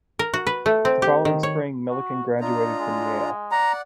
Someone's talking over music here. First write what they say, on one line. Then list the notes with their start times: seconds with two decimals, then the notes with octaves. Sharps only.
The following spring, Milliken graduated from Yale.
0.19 A#4
0.34 F#4
0.47 B4
0.66 A3
0.85 C4
1.02 G4
1.25 D#3
1.43 C#5
1.90 F#4
2.41 D4 D#4 F4 A#5
2.80 G#3
3.51 D5 F#5 A#5